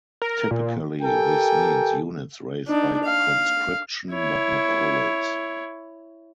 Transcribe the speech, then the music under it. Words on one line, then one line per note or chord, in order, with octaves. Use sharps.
Typically this means units raised by conscription, but not always.
A#4
A#2
G4 A4 A#4 G5 G#5
D4 D#4
F5
E4 C#5